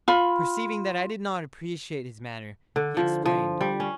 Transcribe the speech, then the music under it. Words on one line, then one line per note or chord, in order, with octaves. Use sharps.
Perceiving that I did not appreciate his manner, he explained.
F4 B5
D3
F3
F3
G3
C#4